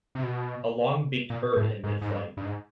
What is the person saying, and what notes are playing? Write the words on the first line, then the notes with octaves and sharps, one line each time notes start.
A longbeaked bird in midflight.
C3
B2
A#2
A2
G#2
G#2
G2
G2
G#2